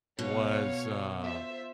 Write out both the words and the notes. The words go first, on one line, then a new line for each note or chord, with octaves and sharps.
was, uh,
B2 C#5 F5
F4 C5 E5